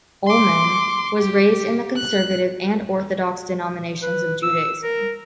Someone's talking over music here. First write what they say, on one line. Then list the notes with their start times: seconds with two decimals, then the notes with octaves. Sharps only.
Ullman was raised in the Conservative and Orthodox denominations of Judaism.
0.27 C6 D6
1.20 G4
1.96 F#6
4.03 B4
4.43 E6
4.82 A#4